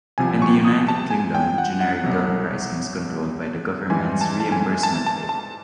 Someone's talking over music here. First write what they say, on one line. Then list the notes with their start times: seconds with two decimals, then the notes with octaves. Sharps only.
In the United Kingdom, generic drug pricing is controlled by the government's reimbursement rate.
0.18 C2 C3 F3 G#5
0.42 C#6
0.65 D#6
0.88 A5
1.10 G#5
1.35 G5
1.58 F#5
1.81 F#5
2.04 C2 B2 F#3
3.90 G#2 E3 G3 G#5
4.21 A5
4.40 A5
4.52 G#5
4.83 A5
5.06 A5
5.29 A5